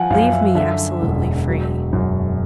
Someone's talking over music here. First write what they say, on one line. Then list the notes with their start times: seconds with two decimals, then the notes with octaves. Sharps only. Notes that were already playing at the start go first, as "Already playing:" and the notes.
Leave me absolutely free.
Already playing: F3 F#5 G#5
0.10 F#2 F5
0.33 E5
0.55 D3 E5
1.02 E1
1.48 F#3
1.93 F#2